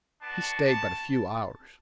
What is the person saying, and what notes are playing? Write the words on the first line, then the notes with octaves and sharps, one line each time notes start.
He stayed but a few hours.
B3 D4 F#4 A5
A5